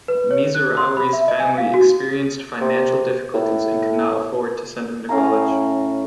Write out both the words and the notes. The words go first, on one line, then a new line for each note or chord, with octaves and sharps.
Misuari's family experienced financial difficulties and could not afford to send him to college.
B4
C#5
F#6
C6
B5
E5
D#5
G#5
F5
F#4
C3
A2
A2 C#4 F5 A#5